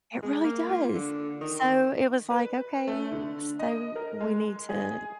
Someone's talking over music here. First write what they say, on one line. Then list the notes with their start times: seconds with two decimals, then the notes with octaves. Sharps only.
It really does! So, it was like, "Okay, so, we need to,
0.23 G#3
0.44 A#3
0.69 F4
0.95 D3
1.41 D#3
2.30 B4
2.87 A3
3.11 D3
3.59 D#5
3.95 A#4
4.20 G#3
4.69 G#4